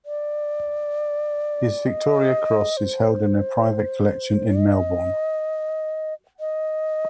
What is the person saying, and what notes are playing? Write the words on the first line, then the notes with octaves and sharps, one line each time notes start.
His Victoria Cross is held in a private collection in Melbourne.
D5
D#5
C5
D#5
D#5